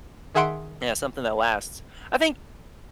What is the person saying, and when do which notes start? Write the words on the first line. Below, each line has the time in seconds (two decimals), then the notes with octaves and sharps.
Yeah, something that lasts. I think,
0.35 D#3 G#4 E5 F#5 C6 D7